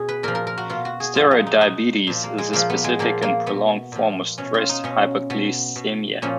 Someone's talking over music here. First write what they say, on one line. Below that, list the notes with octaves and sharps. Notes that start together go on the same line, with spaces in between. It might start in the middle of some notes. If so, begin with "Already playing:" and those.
Steroid diabetes is a specific and prolonged form of stress hyperglycemia.
Already playing: B2 G#4
B4
A#2 F3 A#4
A#4
A#4
F#4
B2 F4
F#4
G#4
A#2 F3 F4
D#4
D#4
B2 D#4
A#2 F3
A#3
G#3
A#2 F3 A#3
B3
G#3
A#2 F3 A#3
A#3
B2 B3
A#2 F3
B2 C#4
F4
D#4
B2 C#4
B2 B3
B2
A#2 F3 C#4